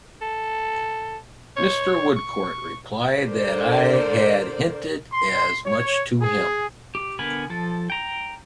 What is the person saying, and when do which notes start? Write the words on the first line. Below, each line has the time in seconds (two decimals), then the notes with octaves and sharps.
Mr. Woodcourt replied that I had hinted as much to him.
0.22 A4
1.57 C#5
2.16 C#6
3.25 D3 A#4 C5 D5
5.12 C6
5.65 C#5
6.21 G#4
6.95 G4
7.19 D3 B3 A#4 G#5 B5
7.50 F3 A4
7.90 G5 A#5